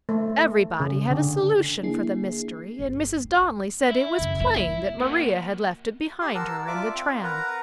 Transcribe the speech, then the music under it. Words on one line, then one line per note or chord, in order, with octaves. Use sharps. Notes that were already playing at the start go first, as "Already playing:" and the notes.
Everybody had a solution for the mystery and Mrs. Donnelly said it was plain that Maria had left it behind her in the tram.
A3
C#3
D3
A#3 D4 E4 G#4 C7
G1
C4
E4
F#2 C#3
G3 A#3 E4
A#3 F#4
G4 C6
A#4 F#5 A5 E6
F4 D5 E5 D6
C4
A#4 B4 F#5 A#5